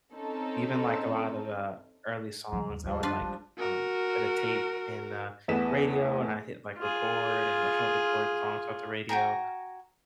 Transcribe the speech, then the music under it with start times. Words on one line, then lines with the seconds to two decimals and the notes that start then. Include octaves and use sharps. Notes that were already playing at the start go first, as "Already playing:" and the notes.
even, like, a lot of the early songs, I would, like, um, put a tape in the radio, and I hit, like, record, and I would record songs off the radio.
0.13 C4 C#4 D#4 A4
2.53 C#3 F3 G3
2.69 D#2
2.84 D2 F3 G3
3.03 F#2 D4 F4 B4
3.21 G#1 G#3
3.58 F#4 A#4
5.48 E2 A3 B3 B6 E7
6.78 F4 G#4
9.09 F#4 G5 G#5 A#5